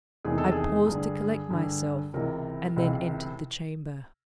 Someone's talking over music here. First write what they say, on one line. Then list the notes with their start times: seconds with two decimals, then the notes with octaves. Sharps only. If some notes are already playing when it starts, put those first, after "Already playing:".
I paused to collect myself and then entered the chamber.
0.25 E2 C3 D#3 G#4
0.38 A4
0.51 G#4
0.87 G2 D3
1.50 G2 D3
2.13 C#2 C3 E3 A#4
2.76 C#2 C3 E3